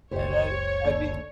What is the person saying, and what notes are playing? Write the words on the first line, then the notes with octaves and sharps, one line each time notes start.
And I I mean
F#1 C#2 G4 C5 C#5
D#2 D3 D5